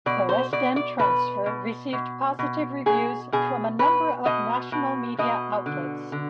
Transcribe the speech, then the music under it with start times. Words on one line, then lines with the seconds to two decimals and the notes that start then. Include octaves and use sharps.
The West End transfer received positive reviews from a number of national media outlets.
0.06 B2 D5
0.29 C5
0.53 B2 D5
0.76 D5
0.99 B2 B4
1.46 B2
1.93 B2
2.39 B2
2.86 B2 G#4
3.32 B2 G#4
3.79 B2 B4
4.25 B2 D#5
4.72 B2
5.18 B2 D#5
5.66 D3
6.12 D3